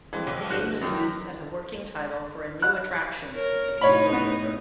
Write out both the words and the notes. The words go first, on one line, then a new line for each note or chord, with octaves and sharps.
The name was used as a working title for a new attraction, the PeopleMover.
F2 E3 G#3
B1
G1 F#4 C5 F#6
F#2 D#3
F#6
A#4 C#5
A2 C3 D#4 C#5 B5
B3